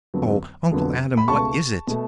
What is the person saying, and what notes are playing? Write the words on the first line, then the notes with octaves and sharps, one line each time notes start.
"Oh, Uncle Adam, what is it?"
F2 D3 F#3 B3
F2 D3 F#3 B3
B5
C#2 B2 A3 A5 C#6
B2 A3